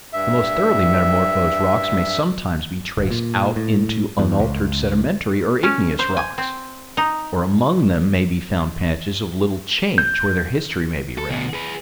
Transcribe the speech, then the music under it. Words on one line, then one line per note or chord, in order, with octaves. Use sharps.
The most thoroughly metamorphosed rocks may sometimes be traced out into unaltered sedimentary or igneous rocks, or among them may be found patches of little change where their history maybe read.
G2 E5
D1
A#2
A2
E2
C#2
C#4
C5
G#5
C4
D#4
G6
A4
D2 B2
G#4 B4